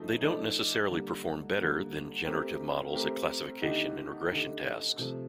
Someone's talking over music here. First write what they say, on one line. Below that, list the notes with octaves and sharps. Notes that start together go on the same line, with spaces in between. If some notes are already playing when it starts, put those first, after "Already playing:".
They don't necessarily perform better than generative models at classification and regression tasks.
Already playing: F3 A3 D#4
F3 A3 D#4 A4 D5
D3 G3 A#3
D3 G3 A#3
A3 C4 G4 A#4
A3 C4 G4 A#4
D3 A3 D#4 G4
D3 A3 D#4 G4
C3 F3 A3